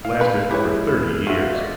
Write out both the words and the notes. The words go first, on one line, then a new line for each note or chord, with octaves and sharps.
It lasted for thirty years.
E4 F5
B4
G#3 E4 G4 G#4 B4 C#5
F4 F#4 E5
D5 D#5